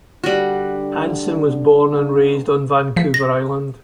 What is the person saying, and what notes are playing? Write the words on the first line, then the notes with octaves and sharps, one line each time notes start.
Hansen was born and raised on Vancouver Island.
D3 G3 D4 F#4
F3 B6
A#6